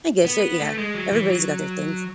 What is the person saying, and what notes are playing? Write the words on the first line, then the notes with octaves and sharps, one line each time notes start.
I get you, yeah. Everybody's got their things.
B3
A3
G#3
F#3
E3
F#3